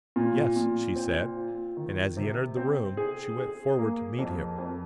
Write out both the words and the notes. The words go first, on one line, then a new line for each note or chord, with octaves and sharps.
"Yes," she said, and as he entered the room she went forward to meet him.
A#2
A#2
C4
F4
D#3
C3
C4
G#4
G#4
A#3
F2
F2